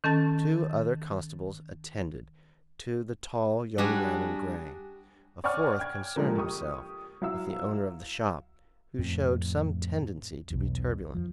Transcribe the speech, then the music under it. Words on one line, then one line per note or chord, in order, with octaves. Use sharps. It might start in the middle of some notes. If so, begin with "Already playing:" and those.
Two other constables attended to the tall young man in grey; a fourth concerned himself with the owner of the shop, who showed some tendency to be turbulent.
D#3 C#4 A4 A5 A6
G3 D4 F#4 G#4
C#5 D5 F#5 G#5 C#6 F6
G5 G#6
A#2 D3 F3 G#3 G4
G4 C#6 D#6
F#3 E4 F5 E6
F2 A2 C4
B1 E2
F2 F3